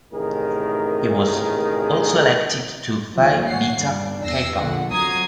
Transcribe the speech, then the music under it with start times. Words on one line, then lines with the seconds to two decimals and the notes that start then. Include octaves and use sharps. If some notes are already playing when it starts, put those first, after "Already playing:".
He was also elected to Phi Beta Kappa.
0.12 A1 A2 C3 D#3 G#4 A#4
3.14 D#2 F3
3.43 C#5 F#5 C7
3.75 G1 D4
4.22 E2 E6 A#6 C7
4.55 A#1 D3 F#5
4.91 F2 F#3 A#5 D#6 G#6 C7